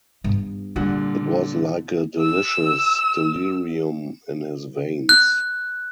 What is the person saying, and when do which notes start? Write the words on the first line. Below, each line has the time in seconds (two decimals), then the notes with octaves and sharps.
It was like a delicious delirium in his veins.
0.24 G2 B3
0.76 A#2 D3 G3 F#5
2.21 E6
5.09 F#6